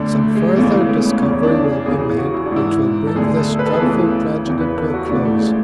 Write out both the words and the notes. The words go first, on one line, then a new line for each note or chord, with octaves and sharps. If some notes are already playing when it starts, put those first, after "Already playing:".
Some further discovery will be made, which will bring this dreadful tragedy to a close.
Already playing: D2 D3 D4
A3
G#3
C#2 C#3 E3 A3
A3
B3
C#4
E2 C#3 E3 C#4
D4
G#4
E2 C#3 E3 G#4
G#4
F#4
E4
D4
G#2 E3 E4
A4
D2 D3 G#4
A4
B4
A4
G#4
D2 C#3 E3 A4
E2 C#3 E3
B4
A4
F#4
D2 C#3 E3 D4
A3
G#3